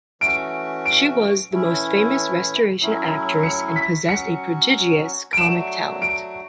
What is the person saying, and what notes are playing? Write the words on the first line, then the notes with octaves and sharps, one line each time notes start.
She was the most famous Restoration actress and possessed a prodigious comic talent.
E3 A3 C#4 F#4 D7
D7
A2 E3 A3 C#4 E4
A2 F#3 A3 C#4 E4
C#7
B6
F#3 C#4 F#4 C#7
D7
F#3 A3 D4 F#4 E7
D7